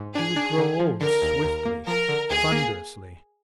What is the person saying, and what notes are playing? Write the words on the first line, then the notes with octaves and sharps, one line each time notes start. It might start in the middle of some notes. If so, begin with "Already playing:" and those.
He would grow old swiftly, thunderously.
Already playing: G#2
D4 G#4
D4
D3
F3
D3 A#4
D#2
D#2
A#3
F3 A#4
D3
D2 G#4
A#3